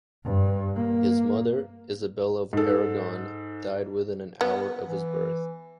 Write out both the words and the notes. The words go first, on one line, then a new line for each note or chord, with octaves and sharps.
His mother, Isabella of Aragon, died within an hour of his birth.
G2
A#3
G#2 A4
B3
E3